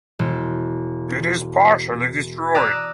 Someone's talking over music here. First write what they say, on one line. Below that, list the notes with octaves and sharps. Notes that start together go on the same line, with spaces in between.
It is partially destroyed.
E1
D5 A#5 D#6 E6 F#6